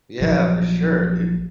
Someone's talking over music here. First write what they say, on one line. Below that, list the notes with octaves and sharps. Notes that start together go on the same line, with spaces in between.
Yeah, for sure, dude.
A#1 F3 F#3